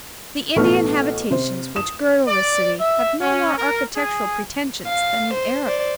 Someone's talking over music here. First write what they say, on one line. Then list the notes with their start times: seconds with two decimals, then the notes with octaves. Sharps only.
The Indian habitations which girdle the city have no more architectural pretensions than an Arab dwelling.
0.56 A1 B2 A3 B4 C#6 F6
1.30 C3 C5
1.76 D#6 E7
2.28 D5
2.80 E5
3.21 C#4
3.58 A#4
3.96 G#4
4.87 F5
5.34 C5
5.65 C5 D5